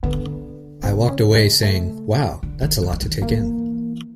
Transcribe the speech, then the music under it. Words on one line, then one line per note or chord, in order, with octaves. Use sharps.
I walked away saying, 'Wow, that's a lot to take in.
D3 B3
C#3 C4
C#4
G#3
A3
D3
D#3
D3
E3
D#3
E3 A#3
F3
E3